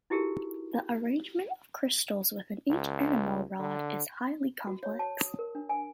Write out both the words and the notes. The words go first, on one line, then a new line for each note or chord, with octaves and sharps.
The arrangement of crystals within each enamel rod is highly complex.
D#4 E4 F#4 G4 A4 A#4
C#2
D3
F#4
C#5
A5
D#6
A#4
D4
G#5